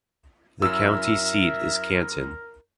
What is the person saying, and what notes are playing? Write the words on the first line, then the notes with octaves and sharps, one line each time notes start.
The county seat is Canton.
F#2 E4 A#4 E5 E6